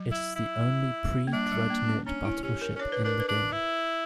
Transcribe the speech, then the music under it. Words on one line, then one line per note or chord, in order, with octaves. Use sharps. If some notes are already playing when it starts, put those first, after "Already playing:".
It is the only pre-Dreadnought battleship in the game.
Already playing: F#3
E4
E4
A#3
G3 D4
G3
A#3
C#4
C#4 D4
E4
C#4 G4
A#4
C#4
D4 C#5
B4
D4 A#4
B4
D4
E4